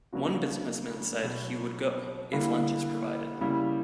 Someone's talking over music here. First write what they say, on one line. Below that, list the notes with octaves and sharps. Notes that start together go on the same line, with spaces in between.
One businessman said he would go...if lunch is provided.
C#3 F#3 A#3 D4 F#4
B2 F#3 B3
D3 G3 A#3 E4
C#3 G3 A#3 E4